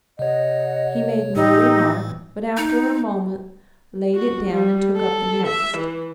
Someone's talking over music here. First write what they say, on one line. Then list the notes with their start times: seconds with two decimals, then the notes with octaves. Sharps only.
He made no remark, but after a moment laid it down and took up the next.
0.19 C3 C#5 D#5 F#5
1.35 A2 E3 D#4 G4 G5 E6
2.57 D#4
4.15 F#4
4.50 G3
4.97 A4
5.47 E5
5.78 E3